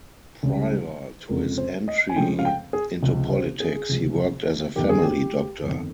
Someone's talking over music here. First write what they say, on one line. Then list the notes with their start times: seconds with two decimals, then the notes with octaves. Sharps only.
Prior to his entry into politics, he worked as a family doctor.
0.43 C#2 C#3 G3
1.29 F1 F2 C#3 F3 G#3 A#4
1.58 C5
1.88 D#5
2.09 G#5
2.16 F1 F2 C#3 F3 G#3 G5
2.39 F5
2.45 G5
2.73 G#4
3.02 C#2 C3 F3 G#3
3.32 C5
3.60 G#4
3.89 C#2 C3 F3 G#3
4.76 G1 F2 D#3 G4
4.90 G#4
5.03 G4
5.63 G1 F2 D#3